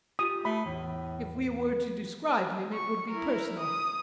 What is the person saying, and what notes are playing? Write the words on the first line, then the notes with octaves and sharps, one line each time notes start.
If we were to describe him it would be personal.
F4 G4 D#6
A3 B5
E2 A2
C#6
E4 A#4
D#6